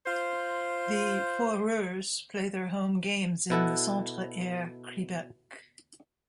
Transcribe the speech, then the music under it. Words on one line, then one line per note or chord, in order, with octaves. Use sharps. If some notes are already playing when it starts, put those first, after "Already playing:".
The Foreurs play their home games in the Centre Air Creebec.
F4 C5
B2 E4 A4 F#5